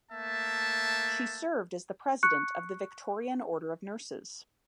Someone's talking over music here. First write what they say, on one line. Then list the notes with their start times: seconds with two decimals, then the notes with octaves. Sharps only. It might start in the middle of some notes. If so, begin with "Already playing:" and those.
She served as the President of the Victorian Order of Nurses.
0.11 A3 A#3 E5 A5
2.23 C#6 F#6 C#7